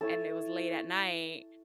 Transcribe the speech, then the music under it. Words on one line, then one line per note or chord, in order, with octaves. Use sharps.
and it was late at night,
E4 A4 C#5